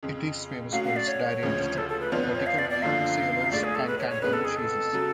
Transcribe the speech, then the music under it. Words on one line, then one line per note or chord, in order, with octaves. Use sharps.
It is famous for its dairy industry, particularly Salers and Cantal cheeses.
F2 C#3 G#3
A2 F#3 C#4 F#4 F5
F5
D5
C#5
D2 C#3 F3 G#3
A4
A4
B4
F2 F3 B3 D4 F4 C#5
B4
C#5
F5
D5
D5
F#1 F#2 D3 F3 F5
B1 A2 G#3 D4 D5
G#4
A4
B4
C#5
C#5
F2 C#3 G#3 B3 B4
A4
G#4
A4
C#3 F#3